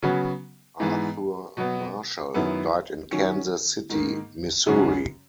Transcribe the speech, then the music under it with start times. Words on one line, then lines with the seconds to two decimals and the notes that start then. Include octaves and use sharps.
Arthur Marshall died in Kansas City, Missouri.
0.02 C#3 F#3 B3 F#4
0.80 G#2 E3 B3
1.57 B2 F#3 B3
2.34 F#2 D#3 F#3 B3 E4
3.12 D#3 F#3 C#4
3.89 G#2 D#3 A#3
4.66 F#2 C#3 G#3 C#4 F#4